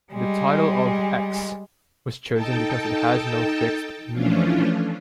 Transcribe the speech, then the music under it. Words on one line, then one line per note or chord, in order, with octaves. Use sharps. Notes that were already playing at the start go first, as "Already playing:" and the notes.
The title of "X" was chosen because it has no fixed meaning.
G3 G#3
D#4 A4 G5 A5
E3 F3 A3 C#4 D4 F4